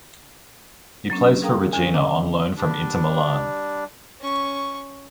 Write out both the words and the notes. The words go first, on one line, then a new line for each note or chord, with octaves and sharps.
He plays for Reggina on loan from Inter Milan.
F#3 A#3 C#4 D4
G#4 A#4 F5 G5 A#5 D#6
E2 D3 F3 C#4
D#5 F5 A#5 D6
G3 D4
C#4 C#6